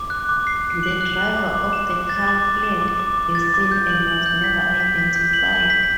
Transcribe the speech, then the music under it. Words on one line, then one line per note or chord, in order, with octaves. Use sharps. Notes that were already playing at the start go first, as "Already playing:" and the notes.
The driver of the car fled the scene and was never identified.
Already playing: D6
F#6
D6
C7
F#6
F#7
F#6
F#6
D6
D6
E7
D6
A6
D6
D6
E7
D6
D6
D6
A6
D6
G6
F#7
F#7
G6
B6
G6
B6
B6
G6
F#7
G6
B6